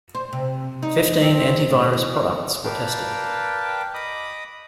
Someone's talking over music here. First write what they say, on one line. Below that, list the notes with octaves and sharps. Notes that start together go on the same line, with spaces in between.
Fifteen anti-virus products were tested.
C5
C3
D#4
C4
A2
E2
A#4 B4 D5 F5 G5 A5
D#5 B5 D6 D#6